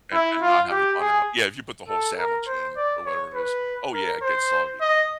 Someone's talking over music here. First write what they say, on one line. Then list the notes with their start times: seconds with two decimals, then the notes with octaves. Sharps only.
and and not have the bun out yeah, if you put the whole sandwich in or whatever it is oh, yeah, it gets soggy,
0.12 E4
0.42 F4
0.71 G4
1.00 G#4
1.88 A4
2.17 A#4
2.47 C5
2.76 D5
3.06 C#5
3.34 B4
3.93 A#4
4.22 C5
4.81 D#5